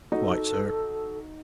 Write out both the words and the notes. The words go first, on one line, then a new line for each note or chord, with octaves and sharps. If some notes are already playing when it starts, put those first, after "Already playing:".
"Quite, sir."
D#4 F#4 A4